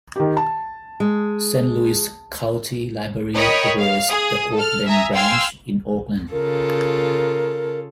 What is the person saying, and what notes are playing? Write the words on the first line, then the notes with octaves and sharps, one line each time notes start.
Saint Louis County Library operates the Oak Bend Branch in Oakland.
D#3 G4
A5
G#3
A#4 C#5 D#5 G5 B5
F5
G#4 D#6
A4 F6
E5 G#5 A#5 D#6
F5 G5 G#5 C6 E6 F6
C#3 F4 A4 A#4